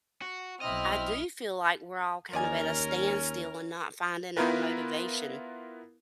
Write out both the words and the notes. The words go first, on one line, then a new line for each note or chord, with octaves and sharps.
I do feel like we're all kind of at a standstill, and not finding our motivation,
F#4
B1 C4 E4 D#5 F6
D#2 C#4 A#4 D5 D#5 G#5
B3 E4 F4 A#4 B4